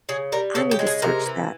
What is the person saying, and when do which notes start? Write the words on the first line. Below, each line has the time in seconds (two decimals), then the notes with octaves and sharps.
I need to search that.
0.09 C#3 G#4
0.32 G3 A#4
0.55 C#3 A4
0.71 G4
0.79 G#3
0.87 G#4
1.02 C3 A#4
1.26 E3